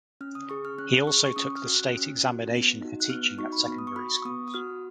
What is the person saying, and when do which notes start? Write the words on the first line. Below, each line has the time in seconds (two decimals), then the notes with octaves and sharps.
He also took the state examination for teaching at secondary schools.
0.21 C#4 F6
0.35 D#6
0.50 G#4 C#6
0.65 F6
0.78 C#4 F#6
1.07 G#4 C#6
1.24 C#6
1.36 C#4 D#6
1.56 F6
1.66 F#4
1.74 F#6
1.95 C#4
2.23 F#4
2.52 B3
2.81 D#4 F#4
3.00 F#6
3.10 B3 F6
3.24 F6
3.38 D#4 F#4 C#6
3.52 B5
3.68 B3
3.78 D#6
3.87 C#6
3.96 F#4 B5
4.16 C#6
4.25 B3 D#6
4.48 D#6
4.54 F#4 F6